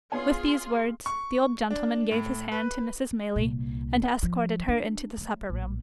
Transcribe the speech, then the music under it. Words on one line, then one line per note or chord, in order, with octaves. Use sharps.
With these words, the old gentleman gave his hand to Mrs. Maylie, and escorted her into the supper-room.
B3 F4 G#4 C#5 G#5 C6
C#6
D4
A2
B4
C2 A#2
F3
D4
F#3 A3
A#1 A2